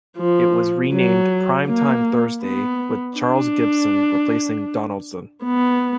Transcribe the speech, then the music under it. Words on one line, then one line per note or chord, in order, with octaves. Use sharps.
It was renamed "Primetime Thursday" with Charles Gibson replacing Donaldson.
F3
F#3
A#3
B3
D4
B3